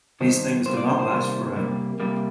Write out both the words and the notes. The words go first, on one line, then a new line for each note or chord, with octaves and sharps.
These things do not last forever.
G2 D#3 C5
C3 G3 A#3 C5
D5
C5
C5
C3 D#3 G3 A#3
C3 G3 A#3
C3 G3 A#3